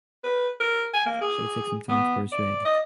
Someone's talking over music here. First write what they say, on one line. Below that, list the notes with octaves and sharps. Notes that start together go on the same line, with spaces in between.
She would take some time to persuade.
B4
A#4
G#5
A#3
G#4
B3
D5
D#5